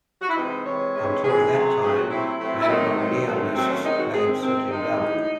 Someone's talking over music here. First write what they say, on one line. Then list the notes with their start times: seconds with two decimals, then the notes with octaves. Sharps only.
Until that time bandoneonists played sitting down.
0.22 F#4
0.29 E4
0.36 C3 E3 G#3 D#4
0.66 C3 E3 G#3 C#5
0.94 C3 E3 G#3
1.23 C3 E3 G#3 G#4
1.53 C3 F#3 A3
1.82 C3 F#3 A3 G#4
1.97 F#4
2.11 C3 F#3 A3 E4
2.40 C3 F#3 A3
2.62 E4
2.68 C3 D#3 F#3 A3 D#4
2.97 C3 D#3 F#3 A3
3.27 C3 D#3 F#3 A3
3.55 C3 D#3 F#3 A3 C4
3.71 C#4
3.84 C3 D#3 G#3 D#4
3.99 F#4
4.14 C3 D#3 G#3 G#4
4.28 C4
4.42 C3 D#3 G#3 C4
4.71 C3 D#3 G#3 D#4
5.01 A2 G#3